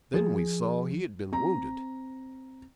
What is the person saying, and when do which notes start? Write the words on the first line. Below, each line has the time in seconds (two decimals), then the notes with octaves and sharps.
Then we saw he had been wounded.
0.14 F3 G#4
1.33 C4 A#5